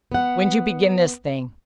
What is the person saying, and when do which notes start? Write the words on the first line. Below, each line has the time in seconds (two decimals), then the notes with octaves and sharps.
"When'd you begin this thing?"
0.12 B3 F#5